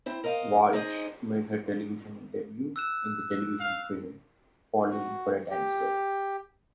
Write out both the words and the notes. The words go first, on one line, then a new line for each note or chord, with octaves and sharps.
Walsh made her television debut in the television film "Falling for a Dancer".
C4 E4 C5
A#4 C5 D#5 F5
D#4 G#4 C5 D5 D#5
E6 F#6 E7
F5
F#4
G4